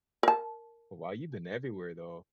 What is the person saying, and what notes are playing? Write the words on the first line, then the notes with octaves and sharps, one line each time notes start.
But, wow, you've been everywhere though.
A#4 A5